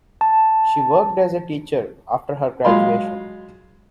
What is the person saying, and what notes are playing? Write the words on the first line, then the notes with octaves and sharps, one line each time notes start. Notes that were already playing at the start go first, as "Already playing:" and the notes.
She worked as a teacher after her graduation.
A5
F#3 G#3 F4 F5 B5 C6